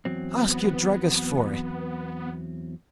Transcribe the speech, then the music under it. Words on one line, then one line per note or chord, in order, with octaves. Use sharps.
Ask your druggist for it.
E2 F#3 C4
B3